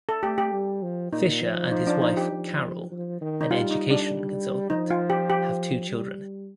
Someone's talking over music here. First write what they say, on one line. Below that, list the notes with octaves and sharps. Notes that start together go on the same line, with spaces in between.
Fisher and his wife, Carol, an education consultant, have two children.
A4
A3 G4
G4
G3
F3
A#2 D#4
F3
D#4
D4
D#4
G4
F3
F3
D#3
D#4
G3 F4
D#4
D4
F3 D#4
F4
G4
G4
G3